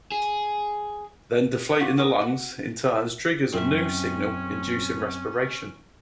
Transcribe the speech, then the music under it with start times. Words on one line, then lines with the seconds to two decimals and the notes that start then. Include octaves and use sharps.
Then deflating the lungs in turns triggers a new signal inducing respiration.
0.12 G#4
1.79 F4 F#5 C#6 D6
1.97 F#4 A#4 C#6 D#6
2.21 F#4
3.54 F#2 C4 C#4 E5